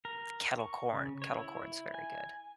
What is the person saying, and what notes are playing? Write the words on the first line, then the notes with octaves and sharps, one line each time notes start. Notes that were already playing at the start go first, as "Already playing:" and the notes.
kettle corn, kettle corn's very good.
A#4
C#6
C#3
C#5
E4
G#5